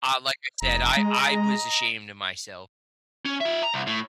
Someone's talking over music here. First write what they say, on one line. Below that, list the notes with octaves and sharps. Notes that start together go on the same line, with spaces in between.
Ah, like I said, I I was ashamed of myself.
F1 D#5 A#5
G#3
C#4
F4 E5
A#5
C2
A2